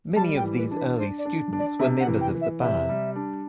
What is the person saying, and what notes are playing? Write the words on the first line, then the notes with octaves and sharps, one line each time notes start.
Many of these early students were members of the bar.
G3 A5
G5
E3
B4
D4
B4
D4 C5
D5
D4
D4
D5
C3 E5
F#5
E3
G5
E3
E5
C3 E5
G3
D4